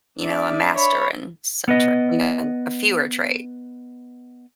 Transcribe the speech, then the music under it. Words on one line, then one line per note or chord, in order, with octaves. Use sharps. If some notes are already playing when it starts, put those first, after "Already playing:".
you know, a master in some tra you know, a fewer trade.
D4 D5 E5
C#5 B5
B3 B4 D#5